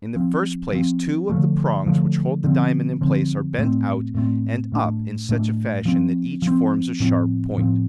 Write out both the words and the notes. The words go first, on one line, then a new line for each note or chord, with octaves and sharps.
In the first place two of the prongs which hold the diamond in place are bent out and up in such a fashion that each forms a sharp point.
F3 C4
F3 C4
D3 F3 A3
D3 F3 A3
D3 F3 C4
D3 F3 C4
A2 A3 C4
A2 A3 C4
A2 A3 D4
A2 A3 D4
F3 C4
F3
C4
A2 F3 C4
A2 F3 C4